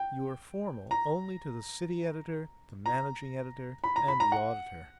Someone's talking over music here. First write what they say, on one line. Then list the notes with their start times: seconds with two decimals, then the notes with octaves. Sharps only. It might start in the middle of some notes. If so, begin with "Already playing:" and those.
You are formal only to the city editor, the managing editor, and the auditor.
Already playing: G5
0.91 A#5
2.86 A#5
3.84 B5
3.96 A#5
4.08 B5
4.20 A#5
4.32 F#5